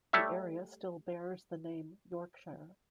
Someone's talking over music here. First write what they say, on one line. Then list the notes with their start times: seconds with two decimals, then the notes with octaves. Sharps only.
The area still bears the name Yorkshire.
0.13 G3 A3 C#5 E5